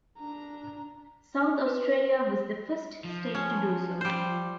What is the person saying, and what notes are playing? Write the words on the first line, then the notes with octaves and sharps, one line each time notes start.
South Australia was the first state to do so.
D4 A#5
B4
F3
C#4
G3 C5